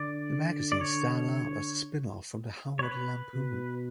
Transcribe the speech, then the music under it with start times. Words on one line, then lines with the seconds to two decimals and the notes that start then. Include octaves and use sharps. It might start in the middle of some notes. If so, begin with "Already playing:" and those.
The magazine started out as a spinoff from the "Harvard Lampoon".
Already playing: D3 D5
0.72 D5
0.81 D3 C#5
2.79 C#5
2.83 B4
3.34 B2